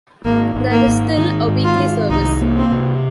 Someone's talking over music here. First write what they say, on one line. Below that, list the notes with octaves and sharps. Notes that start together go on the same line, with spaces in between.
There is still a weekly service.
G#1 A#3
G#1
A#3
G#1
D#3 D#4
G#2
F4
D#3
C2 D#4
A#3
C4
C3